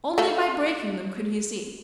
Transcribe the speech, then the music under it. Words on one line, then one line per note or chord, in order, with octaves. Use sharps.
Only by breaking them could he see.
A3 F4 A4